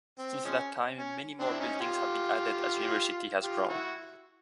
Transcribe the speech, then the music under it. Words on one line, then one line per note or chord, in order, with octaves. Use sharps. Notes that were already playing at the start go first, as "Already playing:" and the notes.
Since that time, many more buildings have been added as the university has grown.
C4
F3 G#3 C#4
C#4
C4 D4
E4
C#4 D#4
F4 G4
F4 G4
E4 F#4